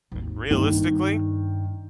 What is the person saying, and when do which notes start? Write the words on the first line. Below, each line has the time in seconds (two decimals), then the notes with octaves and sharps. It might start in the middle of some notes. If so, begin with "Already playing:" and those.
Mm. Realistically?
0.12 G#1 D#2
0.51 G2 D#3